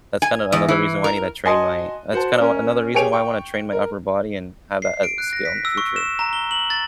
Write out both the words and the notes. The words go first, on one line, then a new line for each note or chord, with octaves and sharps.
that's kinda another reason why I need to train my that's kinda another reason why I wanna train my upper body and have that as a skill in the future.
G#5
E2
E3
A#4
F#4 D#5 G#5 A5 C6 D#6
F#4 C5 A5
C#4 A#4
G4 G#4 C#5 G#5 D7 F7
G5 C#6
A#4
C7
D7
F#6
A#6
B6
E6
C#6
E7
A#5
G7
F#7
A6